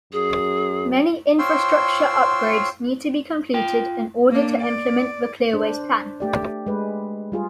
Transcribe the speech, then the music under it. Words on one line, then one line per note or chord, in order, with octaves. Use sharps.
Many infrastructure upgrades need to be completed in order to implement the Clearways plan.
F#2 G#4
F4 C5 C#5 G5 C6 E6
F4 G5
A#3 D4
D5
D4 C5
A3 G4 D5
G#3 B4
G3 F4 G#4